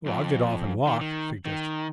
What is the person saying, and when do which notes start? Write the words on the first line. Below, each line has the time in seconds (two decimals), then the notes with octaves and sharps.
"I'll get off and walk," suggested.
0.06 F2
0.87 D#3
1.01 D#3
1.46 D#3